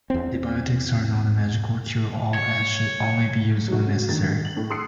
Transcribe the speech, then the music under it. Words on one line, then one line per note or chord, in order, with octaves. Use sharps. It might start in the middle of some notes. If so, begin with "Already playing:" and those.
Antibiotics are not a magical cure-all and should only be used when necessary.
E2 C4
C#5
F#3 D#4 F#4
C#3
D3 D#3 G#3 A6
F#7
A2
C6 D#6 E6 F#6 C7 C#7